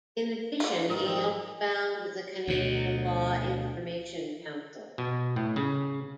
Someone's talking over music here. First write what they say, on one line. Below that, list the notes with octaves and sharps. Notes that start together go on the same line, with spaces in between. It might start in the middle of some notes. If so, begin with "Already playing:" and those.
In addition, he helped found the Canadian Law Information Council.
D3 F4
G#2 D#3 G3 A#4 D#5 A6
G#2 F3 F#3 C4
D2 B2
B2
A2
C#3